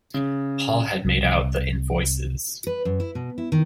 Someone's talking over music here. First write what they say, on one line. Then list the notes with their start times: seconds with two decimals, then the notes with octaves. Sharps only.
Paul had made out the invoices.
0.14 C#3
1.05 C2
2.67 B4
2.85 F#2
3.00 E4
3.15 B2
3.38 E4
3.52 D#3